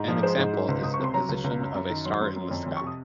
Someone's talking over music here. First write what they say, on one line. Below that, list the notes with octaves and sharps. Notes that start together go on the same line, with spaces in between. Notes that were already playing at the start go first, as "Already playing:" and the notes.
An example is the position of a star in the sky.
Already playing: G#2
F3
G#3 C5
G#2
G#2
C#2
C#2 D#6
C#6
C3 C6
F#3 A#5
C#2
C#2
F#2
F#2
D#3
F#3 C6
F#2
F#2
F2
F2
C3 C#6
D#6